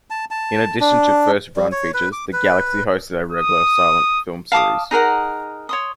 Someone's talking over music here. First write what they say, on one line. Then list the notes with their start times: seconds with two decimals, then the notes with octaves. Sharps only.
In addition to first-run features, The Galaxy hosted a regular silent film series.
0.10 A5
0.31 A5
0.80 D4
1.56 G3
1.72 C#5
1.94 B4
2.13 D6
2.33 B4
3.32 D#6
4.52 F5 A5 D6 D#6
4.91 D#4 G#4 A#4 F#5
5.69 C#5 C6 D#6